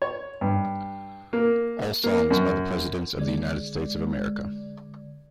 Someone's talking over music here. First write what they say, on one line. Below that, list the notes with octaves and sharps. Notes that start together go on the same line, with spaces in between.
All songs by The Presidents of the United States of America.
C#5
G2
A#3
A#3
F#2
D3 G#3 D5